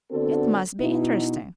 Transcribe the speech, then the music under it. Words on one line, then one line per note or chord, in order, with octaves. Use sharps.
It must be interesting.
D3 B3 C4 D4 F#4 A4
B2 D#4 E4